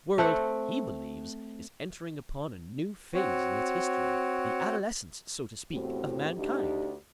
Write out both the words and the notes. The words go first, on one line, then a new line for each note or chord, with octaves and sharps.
The world, he believes, is entering upon a new phase in its history, the adolescence, so to speak, of mankind.
A3 C4 F#5
C4 F#4 C#5
E2 A2 C4 F#4 G4
D2 D4 D#4 G4